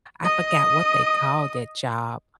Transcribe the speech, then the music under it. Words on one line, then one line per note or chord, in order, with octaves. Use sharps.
I forgot what they called that job.
D#5 D#6